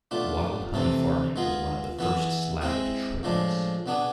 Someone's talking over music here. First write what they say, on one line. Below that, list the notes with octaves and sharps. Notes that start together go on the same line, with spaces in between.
Wild honey farming was one of the first Slavic trades.
B2 A3 D4 F4
C3 E3 A3 C4
G#3 B3 F4 G#4
E3 B3 E4 G#4
G#3 C4 E4 G#4
A2 F3 G#3 D4
B2 B3 D4 G#4